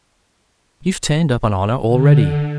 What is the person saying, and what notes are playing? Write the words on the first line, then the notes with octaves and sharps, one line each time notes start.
You've turned up an honor already.
D3